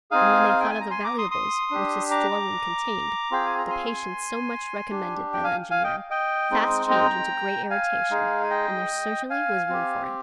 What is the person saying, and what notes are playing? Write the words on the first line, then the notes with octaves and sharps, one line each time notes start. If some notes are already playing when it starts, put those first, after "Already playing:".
And when they thought of the valuables which this storeroom contained, the patience so much recommended by the engineer, fast changed into great irritation, and there certainly was room for it.
C4 D#4 G#4 F5 G#5
F5
G5
G#5
A#5
G#5 C6
A#5 D6
C6 D#6
C6 D#6
D4 G4
A#5 D6
C4 F4 G#4 G5
G#5
A#5
G#5 C6
D4 G4
G5
F5 G#5
F5 G#5
D#5 G5
D#5 G5
G#3 C4 D#4
G5 A#5
F5 G#5
G#3 D#4 G#4
G#5
D#5 G5
F5 G#5
C4 G4